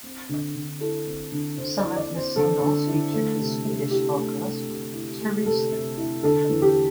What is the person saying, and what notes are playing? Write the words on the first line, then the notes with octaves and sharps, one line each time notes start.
Some of his singles featured the Swedish vocalist Therese.
C4
D3
D3
E4 A4
C4
D3
D3 C5
D5
E4
D5
C4
C5
D3 A4
D3
E4
A3
C3
C3
E4 G4
A3
C3
C3
E4
A3
C3 A4
C3
E4
D3 A4
E2
G4